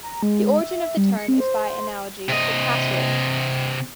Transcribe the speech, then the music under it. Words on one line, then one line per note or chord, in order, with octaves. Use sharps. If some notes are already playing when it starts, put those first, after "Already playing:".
The origin of the term is by analogy with "password".
A#5
G#3
E5
G3
C#7
C4
C5
C3 D#5